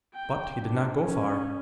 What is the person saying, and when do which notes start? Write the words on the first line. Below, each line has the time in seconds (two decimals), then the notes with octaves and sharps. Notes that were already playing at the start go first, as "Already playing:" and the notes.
But he did not go far.
0.15 G5
0.63 D4
1.01 C#4